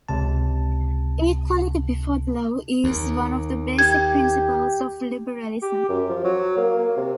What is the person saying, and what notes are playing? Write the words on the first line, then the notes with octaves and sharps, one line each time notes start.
Equality before the law is one of the basic principles of liberalism.
C#2 C3 A5
D#2
G4 G#6
G4
F#2
F3
F#3
A#3
A#3
C3